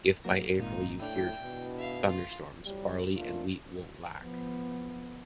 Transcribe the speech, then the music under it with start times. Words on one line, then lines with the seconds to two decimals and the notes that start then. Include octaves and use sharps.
If by April you hear thunderstorms, barley and wheat won’t lack.
0.24 F#3 A#3 A#6
0.59 G#1 A#2 D#4 F4
1.00 A2 D4 E4 G5
1.42 B2
1.78 E5 F5
2.06 F4
2.66 A2 C3 F#3 G3
3.16 A3 A#3 D4 F4
4.19 F3 B3